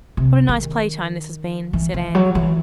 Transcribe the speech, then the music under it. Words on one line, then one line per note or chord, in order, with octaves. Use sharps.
"What a nice play-time this has been," said Anne.
C3
D#3
E3
E3
F#3
E3